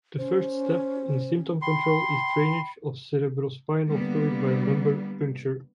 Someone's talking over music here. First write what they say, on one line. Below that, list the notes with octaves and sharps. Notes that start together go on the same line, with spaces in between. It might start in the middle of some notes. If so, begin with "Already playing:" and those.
The first step in symptom control is drainage of cerebrospinal fluid by lumbar puncture.
C#4 C5
G5 B5 C6
D3 G3 A#3 B3